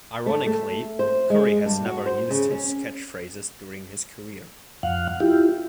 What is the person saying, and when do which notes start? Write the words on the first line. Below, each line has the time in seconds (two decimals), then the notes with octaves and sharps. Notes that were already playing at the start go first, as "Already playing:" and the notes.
Ironically, Curry has never used catchphrases during his career.
0.26 A3
0.47 A3
0.99 C5
1.30 G#3
1.66 G2
1.86 F#4
2.06 C5
2.30 C#3
2.51 C#4
4.83 F2 F5 F#5
5.20 E4 F4 G4